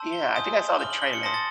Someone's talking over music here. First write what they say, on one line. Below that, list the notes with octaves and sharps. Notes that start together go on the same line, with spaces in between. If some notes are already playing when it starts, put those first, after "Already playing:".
Yeah, I think I saw the trailer.
Already playing: A5 C6 E6 G6
G7
G#5 C6 D#6 G6
B5 D6 F6 G7
F#7
G7
C#7
A5 C6 D#6 A#6
A6